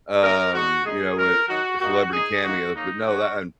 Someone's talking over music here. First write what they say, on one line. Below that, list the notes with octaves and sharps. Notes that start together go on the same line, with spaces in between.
um, you know, with celebrity cameos, but no, that and
C#3 A#3 D#4 A#4
A#2 G#3 D#4 F#4
A#2 G#3 D#4 G#4
G#2 G#3 C#4 A#4
D#3 F#3 D#4 F#4
A#2 A#3 D#4 F#4
A#2 G#3 D#4 G#4
D#3 A#3 D#4 F#4
C#3 A#3 C#4 D#4
G#2 F#3 C#4 F#4